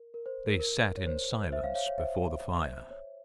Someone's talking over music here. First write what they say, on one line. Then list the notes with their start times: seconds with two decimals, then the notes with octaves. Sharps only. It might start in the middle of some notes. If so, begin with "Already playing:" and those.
They sat in silence before the fire.
Already playing: A#4
0.14 A#4
0.26 C5
0.48 A#4
0.60 A#4
0.97 C#5
1.07 C5
1.52 C5 E5
1.64 C#5 F5
1.75 C#5 F5
1.87 C#5 F5
1.98 C5 E5
2.91 C#5